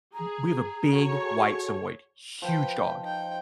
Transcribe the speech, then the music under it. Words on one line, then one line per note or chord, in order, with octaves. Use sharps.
W we have a big white Samoyed, huge dog,
G#4 A#5
F#4 G#4 A4 C#5
F3 B4 G5
D#4 G5